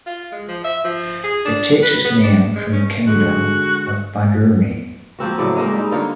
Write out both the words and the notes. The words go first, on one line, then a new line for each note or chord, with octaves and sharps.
It takes its name from the kingdom of Baguirmi.
F4
G#3
F3
E5
F3
G#4
D4
B4
B3
D4
G#3
C#4
D3 G#3 F#4
F3 A#3 C4 F#4
A2 C#3 F#3 D5
G#3 A#3 C4 A#4
G3 D#4
D3 A#3 F4 C#5